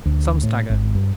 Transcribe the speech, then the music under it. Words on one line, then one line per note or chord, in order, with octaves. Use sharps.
Some stagger.
D2
A2
G#1
G2